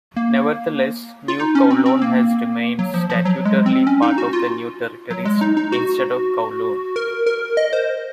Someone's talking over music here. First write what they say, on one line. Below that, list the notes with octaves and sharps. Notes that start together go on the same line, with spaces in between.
Nevertheless, New Kowloon has remained statutorily part of the New Territories instead of Kowloon.
A#3
F4
D#4
C#4
C4
C4
A#3
F#3
F3
F3
F#3
G#3
C4
C#4
D#4
F#4
F4
F#3
G#3
D#4
D#4
F#4
A#4
A#4
D#5
C5